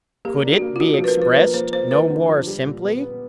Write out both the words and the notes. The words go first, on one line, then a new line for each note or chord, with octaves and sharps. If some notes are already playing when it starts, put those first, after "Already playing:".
Could it be expressed no more simply?
A#3 G4
D4
F#4
A#3
F4
D4 F#4
F#4
F3
B4
A#4
F3 B4
A#3 B4
A#3 C5
A#3 C5
A#3 B4
D3
F3
G3
A#2
B3
B3